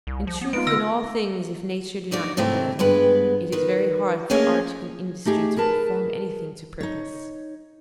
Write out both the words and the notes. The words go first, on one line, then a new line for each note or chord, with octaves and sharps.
In truth, in all things, if nature do not help a little, it is very hard for art and industry to perform anything to purpose.
C2
F3
B3
G#3 B3 D#4 F4 D7
D3 E6 F6 A#6
D2 D#4 F#4 D5
G#2 C3 F#3 A3 C4 E4
G2 G#3 B3 B4
D#3 B4
A3 A#3 C#4 G#4 D#5 F5
A3 D#4 G4 G#4
G#4 A#4 B4 A5
D#4 C#5